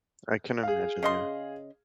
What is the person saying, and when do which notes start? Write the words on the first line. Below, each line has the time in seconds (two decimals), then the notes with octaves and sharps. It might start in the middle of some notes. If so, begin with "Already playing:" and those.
I can imagine, yeah.
0.63 G#4 F5
1.03 C#3 D#5 C6